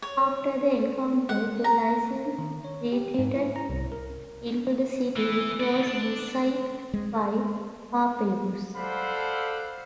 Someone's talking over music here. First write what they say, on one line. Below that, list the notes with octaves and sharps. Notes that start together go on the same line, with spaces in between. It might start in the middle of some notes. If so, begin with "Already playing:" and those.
After the encounter, the Lycians retreated into the city which was besieged by Harpagus.
C#5
F#5
A#5
D#3
C#5
G4
G#2
E4
A#5
C2
A#4
E3
D5 F#5
D4
G#3
A4 C5 D5 F5 F#5 B5